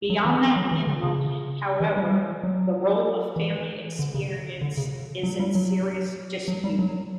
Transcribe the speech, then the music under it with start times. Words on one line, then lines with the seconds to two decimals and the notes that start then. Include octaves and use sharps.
Beyond that minimum, however, the role of family experience is in serious dispute.
0.10 F#3
0.25 E3
0.56 F#3
0.71 E3
0.87 D3
1.03 C#3
1.80 E3
1.97 G3
2.43 F#3
3.36 E3
3.99 D3
4.14 C#3
4.61 D3
4.77 C#3
5.23 F#3
5.40 G3
5.55 F#3
6.48 F#3
6.64 G3
6.79 F#3